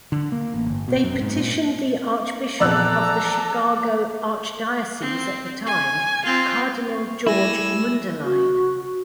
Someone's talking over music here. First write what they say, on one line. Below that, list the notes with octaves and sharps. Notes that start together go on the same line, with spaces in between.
They petitioned the Archbishop of the Chicago Archdiocese at the time, Cardinal George Mundelein.
D3
A#3
A1
G1
B2
F#2
G#2
A#2
A#1 E2 A4 D5 A#5 E6 F#6
C4
G#5
C4 F4
G3 A3 E4 G4 G#5 E6 A#6
F#4